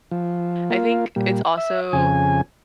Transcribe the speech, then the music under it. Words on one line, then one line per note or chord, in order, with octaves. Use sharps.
I think it's also
F3
A#3 F4
A#2 G3
E5
F2 C#3 G#5